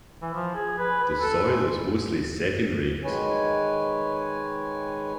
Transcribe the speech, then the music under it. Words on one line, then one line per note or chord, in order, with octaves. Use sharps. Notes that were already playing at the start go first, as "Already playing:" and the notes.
The Soil is mostly second rate.
E3
F3
G#4
B4
B4
A4
G#3
D#3 G#3 B4 C#5 G#5